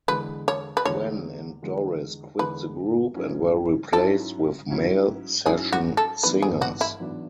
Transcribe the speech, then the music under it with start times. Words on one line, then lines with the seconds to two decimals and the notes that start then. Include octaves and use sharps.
Gwen and Doris quit the group and were replaced with male session singers.
0.08 E2 D3 G#3 B4
0.48 C#5
0.77 B4
0.85 E2 D3 G#3 C#5
1.63 E2 D3 G#3
2.39 E2 D3 G#3 B4
3.16 G#2 F#3 C#4 E4
3.93 G#2 F#3 C#4 E4 A4
4.70 G#2 F#3 C#4 E4
5.46 G#2 F#3 C#4 E4 G#4
5.73 F#4
5.97 A4
6.23 A1 G#2 F#3 B3 D4 B4
6.42 G#4
6.61 F#4
6.81 E4
7.00 A1 G#2 F#3 B3 D4